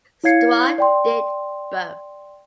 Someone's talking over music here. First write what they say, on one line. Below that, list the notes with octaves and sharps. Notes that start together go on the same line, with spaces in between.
Stroh did both.
E4 C#5 F5 G#6 C7 C#7
D5 G5 C6